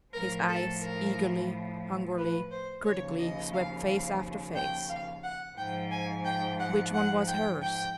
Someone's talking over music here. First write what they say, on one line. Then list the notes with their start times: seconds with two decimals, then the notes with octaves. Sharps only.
His eyes, eagerly, hungrily, critically, swept face after face. Which one was hers?
0.12 A2 F3 A#4
0.46 A4
0.81 A#4
2.16 B4
2.50 C5
2.84 D#2 C#3 F3 C#5
3.19 D#5
3.53 F5
3.86 F5
4.54 G5
4.89 F5
5.23 F#5
5.56 G#2 F3 G5
5.91 G#5
6.25 G5
6.59 F#5
6.93 F#5
7.27 G5
7.61 G5